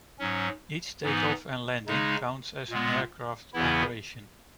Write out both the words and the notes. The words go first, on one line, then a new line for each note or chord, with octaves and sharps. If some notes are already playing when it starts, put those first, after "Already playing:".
Each takeoff and landing counts as an aircraft operation.
G#2 F#3 C#4
G#2 E3 B3 D#4
C#3 G#3 D#4
A#2 G#3 B3
E2 C#3 E3 B3 E4